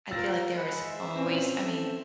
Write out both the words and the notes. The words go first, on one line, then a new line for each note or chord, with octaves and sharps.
I feel like there is always I mean,
F4 A#4 C5 E6 A6 A#6
G#3 F#5 B5
C5 E5
A#2 C4 C#4
A4